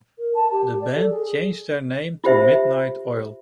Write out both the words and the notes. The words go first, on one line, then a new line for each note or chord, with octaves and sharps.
The band changed their name to Midnight Oil.
A#4
A5
G4
D5
A4
G#4
F4 G4 C5 E5